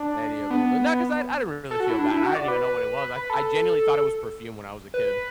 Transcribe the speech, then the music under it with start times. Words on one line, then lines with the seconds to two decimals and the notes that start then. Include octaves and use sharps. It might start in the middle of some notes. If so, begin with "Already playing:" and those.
Any of them, wel not 'cause I I didn't really feel bad, I didn't even know what it was, I I genuinely thought it was perfume when I was a kid,
Already playing: D4
0.50 B3
1.71 A4
1.80 F#4
1.90 E4
1.99 D4
2.11 E4
2.23 F#4
2.35 D5
2.48 B4
2.97 B4
3.13 B4
3.30 A4
4.94 B4